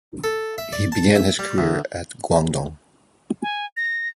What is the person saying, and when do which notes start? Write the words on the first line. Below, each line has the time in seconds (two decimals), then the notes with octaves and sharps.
He began his career at Guangdong.
0.24 A4
0.58 E5
0.73 D5
0.92 A5
1.15 E5
1.39 G3
1.58 D2
3.42 G#5
3.77 A#6